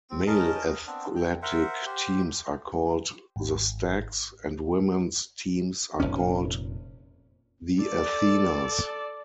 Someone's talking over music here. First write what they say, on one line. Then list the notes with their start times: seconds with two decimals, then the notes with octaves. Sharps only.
Male athletic teams are called the Stags, and women's teams are called the Athenas.
0.10 C4
0.27 C#4 A#4 D#5 A5
0.87 B3 C4 D4
1.16 G5
1.42 A#4 C5 E5 F#5
1.86 G4 C5
3.36 G#1
6.00 F1 A#1 A#2 C#4
7.84 A4 D5